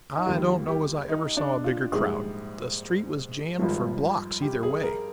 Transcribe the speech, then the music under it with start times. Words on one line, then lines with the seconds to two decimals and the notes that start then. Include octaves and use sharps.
I don't know as I ever saw a bigger crowd; the street was jammed for blocks either way.
0.16 D#4
0.26 D#2 D#3 G3 F4
0.68 G4
1.09 D#4
1.37 D4
1.64 F4
1.92 A#1 G#2 G3 G#4
3.58 G#1 G2 F3 G#3
4.42 G4
4.63 G#4
4.83 A#4